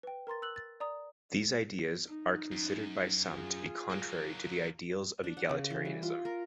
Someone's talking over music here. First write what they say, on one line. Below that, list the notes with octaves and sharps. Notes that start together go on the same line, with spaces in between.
These ideas are considered by some to be contrary to the ideals of egalitarianism.
B4 G5
A#4 A#5 C6 A6
E6 F#6 F#7
A6
D5 A#5 D#6
D#4
F#2
F4 G#4
F#3 A#3
D4
F#5
C#3
E3
G3
F4
A#4